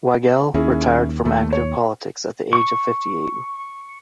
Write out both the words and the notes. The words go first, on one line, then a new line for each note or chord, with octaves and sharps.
Wiegel retired from active politics at the age of fifty-eight.
D#2 C#4 E4 G#4
D#2 A3
C#5
C#6